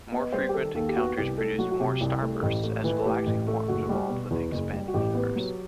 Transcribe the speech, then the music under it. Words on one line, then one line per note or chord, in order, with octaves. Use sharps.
More frequent encounters produced more starbursts as galactic forms evolved with the expanding universe.
B3 D#5
G3 C5
G4
D#3 A4
D#2 A4
G4
B3 F#4
C2 G4
A3 A4
F#3 F#4
F#4
C3 G4
C2
A3
A1 G4
A3
E3
A4
A2 G4
A1
A3
F#1 F#4
G3
B2
E2
F#1
G3
F#4
A1 G4
B3
F#3